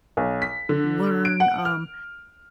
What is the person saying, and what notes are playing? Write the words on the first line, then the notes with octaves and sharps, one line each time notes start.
learn, um,
B1
B6
D3
D7
F#5
F6